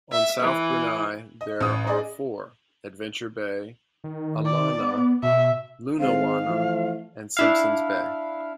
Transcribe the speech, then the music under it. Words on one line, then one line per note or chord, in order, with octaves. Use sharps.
On South Bruny there are four: Adventure Bay, Alonnah, Lunawanna and Simpsons Bay.
E5
E3
D#5
A1 D#6
G#4 D5 D#5
D#3
D5
B3
B2 E5
D#3 G#3 C4 F5
E3 F3 A3
D4 E4 F5